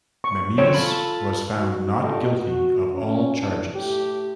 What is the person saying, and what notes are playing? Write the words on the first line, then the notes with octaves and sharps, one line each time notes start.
Memmius was found not guilty of all charges.
C#6
F3 F#3 C4 C#5
F4 A4 B5
D#4 F#4
A#2 D4 G4 A4 D#5
F#4
C#4
D3 E3 D4
A2 G4